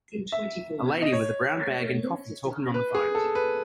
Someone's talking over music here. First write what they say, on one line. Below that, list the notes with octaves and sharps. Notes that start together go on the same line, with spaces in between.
A lady with a brown bag and coffee talking on the phone.
E5
D#5
C#5
B4
G#4
A4
B4